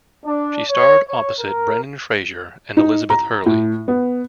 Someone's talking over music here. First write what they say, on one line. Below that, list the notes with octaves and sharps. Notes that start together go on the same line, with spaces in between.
She starred opposite Brendan Fraser and Elizabeth Hurley.
D4
C#5
C#5
A#4
D#4
A#5
A2
B3